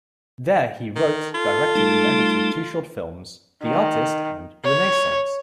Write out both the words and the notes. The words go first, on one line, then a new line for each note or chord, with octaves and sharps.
There he wrote, directed and edited two short films, "The Artist" and "Renaissance".
D#3
F4 A4
G3 A3 D#4
D#3
C#5